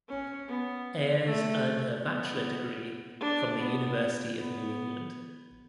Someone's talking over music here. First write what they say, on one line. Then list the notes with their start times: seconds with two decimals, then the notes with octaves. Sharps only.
Ayres earned her bachelor degree from the University of New England.
0.08 C#4
0.47 B3
1.25 A3
2.03 B3
3.20 D4
3.58 B3
4.36 B3